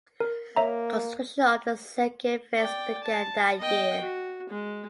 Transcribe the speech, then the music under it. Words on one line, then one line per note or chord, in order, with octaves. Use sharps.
Construction of the second phase began that year.
A#4
A#3 C#5 E5 A#5
D5 G5
A5
D#5 G5
F#4
G#3